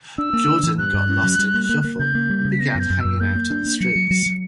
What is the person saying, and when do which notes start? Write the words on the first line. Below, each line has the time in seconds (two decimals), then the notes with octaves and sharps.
Jordan got "lost in the shuffle"and began hanging out on the streets.
0.18 D4 E6
0.33 A#3
0.48 D4
0.63 E3
0.78 G2 F#6
0.94 G2
1.09 C#4
1.23 F#3
1.39 G3
1.54 A#3
1.69 A#3
1.84 A#3
1.99 C#3 G6
2.15 A#3
2.30 G3
2.45 C#3
2.52 B6
2.60 B3 A#6
2.75 F#2 G6
2.90 F#2
3.00 F#2 E6
3.20 A#3 G6
3.35 A#3
3.50 D4
3.65 A#3
3.80 F#3 C#7
3.96 F#3
4.11 F#3
4.26 F#3